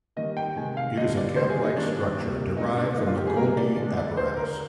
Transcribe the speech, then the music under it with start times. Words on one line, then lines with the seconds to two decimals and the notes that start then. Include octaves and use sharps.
It is a cap-like structure derived from the Golgi apparatus.
0.16 D#3 G3 A#3 D#5
0.37 G5
0.56 C3 D#3 G#3 G#5
0.77 F5
0.96 D3 G3 A#3 D#5
1.17 D5
1.36 D#3 G3 A#3 C5
1.50 G#4
1.63 D#4
1.77 D#3 G3 A#3 D4
2.17 C3 G3 A#3
2.57 A#2 G#3 D#4
2.77 D4
2.96 D3 G3 A#3 D#4
3.07 F4
3.16 G4
3.27 G#4
3.36 C3 G3 A#3 A#4
3.57 D5
3.76 D3 G#3 D5
3.97 D5
4.17 D3 G#3 C5
4.37 A#4